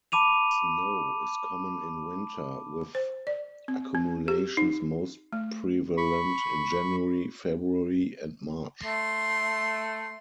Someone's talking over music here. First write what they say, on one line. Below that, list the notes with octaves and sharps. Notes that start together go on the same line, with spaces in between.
Snow is common in winter, with accumulations most prevalent in January, February, and March.
A5 B5 D6 D#7 F7
C5
D5
C4
C4
G4
D#4
A3
B5 C#6
A3 C6